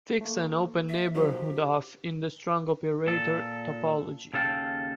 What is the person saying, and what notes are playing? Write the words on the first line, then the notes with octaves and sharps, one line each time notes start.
Fix an open neighborhood of in the strong operator topology.
A3 A#3
E5
F3 F#3 D#4 G4
A#2 A4
D#2 C#3 A4 F5 G5 A5